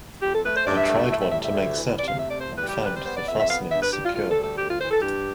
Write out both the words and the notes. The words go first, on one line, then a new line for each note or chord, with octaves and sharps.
I tried one to make certain, and found the fastenings secure.
F2 G4
A4
A3 B4
C5
G2 D5
E5
A3 E5
E5
A2 E5
E5
G3 E5
E5
D2
E3
C3 D5
F5
A3 E5
D5
E2 C5
B4
G3
G4
C3 B4
C5
B3 C5
D5
F2 E5
E5
B3 F5
G2 E5
B4
G3 G4
F4
D2 F4
A4
G3
A4
D2 G4
F4
E3 C5
A4
G2 G4